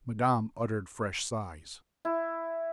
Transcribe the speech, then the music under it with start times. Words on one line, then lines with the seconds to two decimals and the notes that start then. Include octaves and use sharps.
Madame uttered fresh sighs.
2.05 E4